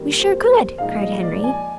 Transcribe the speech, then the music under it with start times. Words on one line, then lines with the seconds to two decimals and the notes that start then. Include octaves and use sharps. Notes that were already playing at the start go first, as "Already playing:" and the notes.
"We sure could!" cried Henry.
Already playing: F2 D#3 G3 A#3
0.19 C5
0.78 A#2 F3 G#3 D#4 F5
1.00 D#5
1.22 D5
1.44 G#5